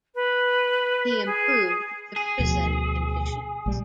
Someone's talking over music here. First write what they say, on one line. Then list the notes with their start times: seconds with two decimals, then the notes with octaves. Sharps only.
He improved the prison conditions.
0.14 B4
1.25 G#4
2.16 G#4
2.39 D2 B2 F3
3.66 A#1 G3